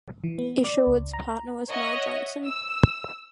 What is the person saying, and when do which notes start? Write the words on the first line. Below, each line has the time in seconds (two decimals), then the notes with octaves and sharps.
Isherwood's partner was Mel Johnson.
0.24 E3
0.38 B3
0.64 D5
0.87 C#2
1.13 A#5
1.70 C#5 D#5 E5 F#5
2.45 E6